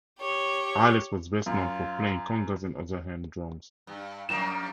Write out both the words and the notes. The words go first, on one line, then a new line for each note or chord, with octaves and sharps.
Alias was best known for playing congas and other hand drums.
G4 C#5
F#2 F4
G2
F2 G3 A#3 E7